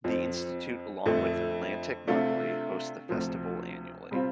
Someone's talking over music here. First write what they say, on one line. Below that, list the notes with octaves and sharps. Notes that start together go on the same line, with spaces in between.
The Institute, along with "Atlantic Monthly", hosts the festival annually.
F2 F3 C4
F2 D3 A3
C3 A3 D4 F4
D2 C3 F3
C3 G3 C4 F4